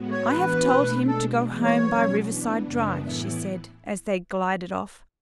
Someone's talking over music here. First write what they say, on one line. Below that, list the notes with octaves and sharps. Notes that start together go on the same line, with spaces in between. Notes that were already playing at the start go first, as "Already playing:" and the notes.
"I have told him to go home by Riverside Drive," she said, as they glided off.
Already playing: A2 G#3 B3 F#4
C#5
E3 B3 D4 F#4 B4
B2 A3 D4
B2 G#3 D4 A4
E3 G#3 B3
C#5
B2 F#3 C#4
E3 B3 D4
F#2 C#3 G#3 B3 D4
A2 E3 B3 E4